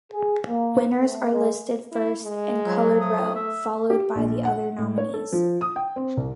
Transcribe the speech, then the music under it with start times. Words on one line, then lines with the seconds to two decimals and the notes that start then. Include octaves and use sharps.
Winners are listed first in colored row, followed by the other nominees.
0.12 G#4
0.48 A#3
1.00 A3
1.32 G#3
1.92 E4
2.24 G#3
2.65 F3 F#3
3.01 A3 D#6
3.35 E5
3.90 G4
4.16 A#1
4.45 F#5
4.78 A2
4.98 C#5
5.14 A4
5.32 F3
5.61 D#6
5.76 G5
5.96 C4
6.17 C2